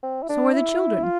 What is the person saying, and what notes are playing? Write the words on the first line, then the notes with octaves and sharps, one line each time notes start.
So are the children.
C4
E4
D4
E4
F4